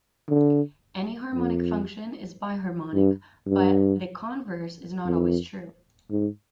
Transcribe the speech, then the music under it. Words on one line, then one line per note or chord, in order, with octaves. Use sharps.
Any harmonic function is biharmonic, but the converse is not always true.
D3
F2
G2
G2
F2
G#2